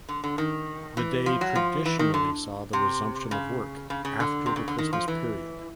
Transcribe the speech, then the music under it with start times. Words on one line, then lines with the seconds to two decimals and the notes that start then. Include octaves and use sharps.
The day traditionally saw the resumption of work after the Christmas period.
0.09 D3
0.24 D3
0.38 D#3
0.97 E3
1.26 F3
1.41 F#3
1.55 F3
1.86 E3
1.99 D#3
2.14 D3
2.73 C3
3.31 C#3
3.90 C#3
4.05 C#3
4.20 D3
4.46 C3
4.56 C#3
4.68 D3
4.78 D#3
4.93 F3
5.08 E3